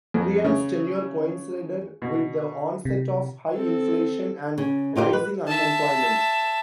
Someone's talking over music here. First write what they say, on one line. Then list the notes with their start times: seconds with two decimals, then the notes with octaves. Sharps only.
Crean's tenure coincided with the onset of high inflation and rising unemployment.
0.14 F2
0.44 C#3
2.02 B2
2.85 C3
3.54 C4 A4
4.58 C#3
4.96 D#4 F4 G4 A#4 C5
5.13 B4
5.48 E5 A5